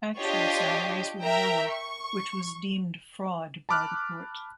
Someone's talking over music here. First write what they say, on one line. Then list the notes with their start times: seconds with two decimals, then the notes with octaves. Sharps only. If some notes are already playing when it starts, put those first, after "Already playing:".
Actual salaries were lower, which was deemed fraud by the court.
0.21 D4 F4 G4 C#5 D#5
1.22 A#4 E5 G5 A#5
1.72 C#6
3.69 A5 B5 D6 F6 F#6